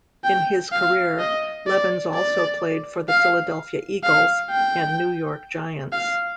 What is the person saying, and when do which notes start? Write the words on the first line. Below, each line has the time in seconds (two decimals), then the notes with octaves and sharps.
In his career, Levens also played for the Philadelphia Eagles and New York Giants.
0.24 G5
0.72 F5
1.19 D#5
1.67 D5
2.14 D5
3.08 F5
4.03 F5
4.50 G5
5.92 F5